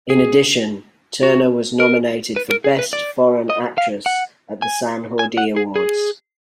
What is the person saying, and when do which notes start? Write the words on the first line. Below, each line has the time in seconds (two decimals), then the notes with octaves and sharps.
In addition, Turner was nominated for Best Foreign Actress at the Sant Jordi Awards.
0.10 G#4
1.23 F#4
1.80 A#4
2.36 B4
2.50 A#4
2.64 G#4
2.79 B4
2.93 D5
3.50 D#5
3.78 F5
4.06 F#5
4.62 G#5
5.19 G#5
5.38 F#5
5.56 G#4
5.76 G#4